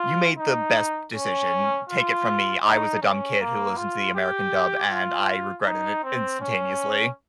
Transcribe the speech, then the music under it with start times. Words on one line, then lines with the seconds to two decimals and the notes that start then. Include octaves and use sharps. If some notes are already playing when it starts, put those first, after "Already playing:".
You made the best decision. Take it from me, I was a dumb kid who listened to the American dub, and I regretted it instantaneously.
Already playing: F4
0.39 D#4
1.15 C#4
1.89 F4
2.64 D#4
3.02 C#4
3.40 A#3
3.77 F4
4.15 G4
4.90 F4
5.66 D#4
6.03 C4
6.41 C#4